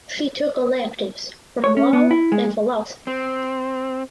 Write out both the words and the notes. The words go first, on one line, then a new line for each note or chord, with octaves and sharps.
She took electives from law and philosophy.
C#5
C#4
B3
E4
G#3
C4